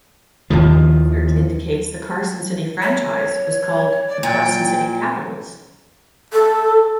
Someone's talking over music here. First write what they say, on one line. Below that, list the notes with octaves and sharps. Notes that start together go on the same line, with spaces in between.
Research indicates the Carson City franchise was called the Carson City "Capitals".
D#2 D#3 F3
C#5
D5
A#2 G5
A4